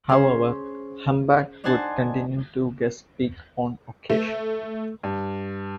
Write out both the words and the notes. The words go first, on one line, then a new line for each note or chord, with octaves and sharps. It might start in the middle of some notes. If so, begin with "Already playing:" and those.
However, Humbard would continue to guest-speak on occasion.
C#4 G#4 C5
D4 D#4 C5 F#5 G#5 A5
A3
G2